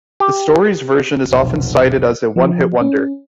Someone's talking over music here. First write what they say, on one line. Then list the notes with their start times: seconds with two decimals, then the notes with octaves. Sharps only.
The Stories version is often cited as a "one hit wonder".
0.20 G4
1.29 F1 B1
2.36 F3
2.81 C#4